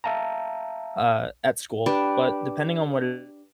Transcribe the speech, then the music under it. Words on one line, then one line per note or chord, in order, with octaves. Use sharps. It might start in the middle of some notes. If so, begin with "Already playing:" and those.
uh, at school. But depending on what it
E5 F5 A5 A#5
D4 G4 B4 D5